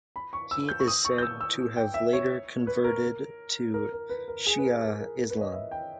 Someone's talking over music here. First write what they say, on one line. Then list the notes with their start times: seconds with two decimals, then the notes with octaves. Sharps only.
He is said to have later converted to Shia Islam.
0.16 B5
0.33 C#6
0.51 E6
0.69 G6
0.79 C#6
0.88 D#6
1.05 C#6
1.18 G6
1.23 E6
1.41 E6
1.76 G5
1.94 E5
2.13 C#5
2.67 B4
2.84 A#4
3.74 A#4
3.92 A#4
4.10 B4
4.28 A#4
4.46 G#4
4.58 B4
4.64 A#4
4.82 G#4
5.00 A#4
5.18 A#4
5.30 B4
5.37 C#5
5.41 D#5
5.53 E5
5.71 G5